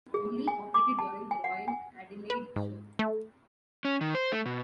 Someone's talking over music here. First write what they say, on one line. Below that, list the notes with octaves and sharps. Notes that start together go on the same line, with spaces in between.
Only operated during the Royal Adelaide Show.
G#4
G#5
D6
A5
G#5
F#5
G#5
B4
G#2
A3
C#4
D#3
C5
A3
B2